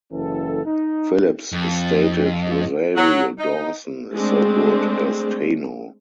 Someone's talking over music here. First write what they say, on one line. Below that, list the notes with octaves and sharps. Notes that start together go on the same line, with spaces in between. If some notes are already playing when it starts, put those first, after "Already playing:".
Phillips stated "Rosario Dawson is so good as Tano".
F#1 E3 C#4 A4
D#4
F2
F#3
D#4
G#3 A3 C4 D4